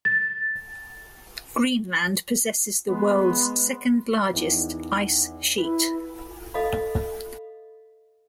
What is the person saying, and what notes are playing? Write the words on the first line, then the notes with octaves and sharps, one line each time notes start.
Greenland possesses the world's second largest ice sheet.
A6
G#3 B3
E2 D#3 E3
E4 B4
A4 D#5 F5 B5